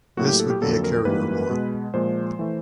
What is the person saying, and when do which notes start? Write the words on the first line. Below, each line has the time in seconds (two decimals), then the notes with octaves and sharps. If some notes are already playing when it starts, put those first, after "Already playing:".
This would be a carrier war.
0.17 A2 F#3 A#3 F#4
0.29 G4
0.40 A4
0.50 G4
0.61 F2 D3 F#3 A#3 A4
0.84 A#4
1.05 G#2 E3 G3 A#3 B4
1.50 B2 G#3
1.94 A#2 F3 G#3 C5
2.39 E3 A3